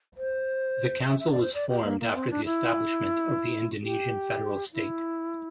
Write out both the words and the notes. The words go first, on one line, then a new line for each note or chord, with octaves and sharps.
The council was formed after the establishment of the Indonesian federal state.
C5
E5
E5
D5
C5
D5
G4
A#3
A#3
C4
D4
E4
G4
E4